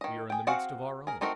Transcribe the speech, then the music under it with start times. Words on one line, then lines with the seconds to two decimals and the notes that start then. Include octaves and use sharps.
We are in the midst of our own.
0.01 D#3 D#5
0.30 G#4 G5
0.47 C4 F#4 G#4 F5 F#5
1.07 G#4 A#4
1.21 A3 C4 D#4 F#4 A#4